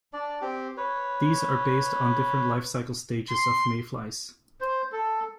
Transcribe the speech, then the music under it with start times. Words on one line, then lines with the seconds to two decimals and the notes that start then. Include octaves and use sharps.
These are based on different life-cycle stages of mayflies.
0.13 D4 D5
0.41 C4 G4
0.77 B4 C#5
3.30 C6
4.61 C5
4.92 A4